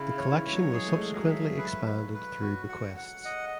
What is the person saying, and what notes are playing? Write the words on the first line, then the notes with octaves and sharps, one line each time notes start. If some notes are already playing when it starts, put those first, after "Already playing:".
The collection was subsequently expanded through bequests.
Already playing: C#3 E4
C#3
C#5
E3
G#3 C#5
F#3
G#3 G#4
A3
G#3
G#4
F#3
E5
B4
B4
B4
F#4
F#5
F#5
D#5